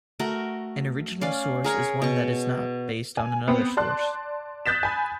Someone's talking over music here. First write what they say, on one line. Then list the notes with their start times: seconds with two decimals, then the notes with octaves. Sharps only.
An original source is one that is not based on another source.
0.20 A3 F#4 A#4
1.21 C#4 D5 F5
1.64 G#4 A#4 C#5
2.02 B2 C#6
3.17 G#5
3.48 B3 C4
3.77 D5 A5 C6 F#6
4.66 D#6 F#6 G6 A6 B6 E7
4.83 G#5 B5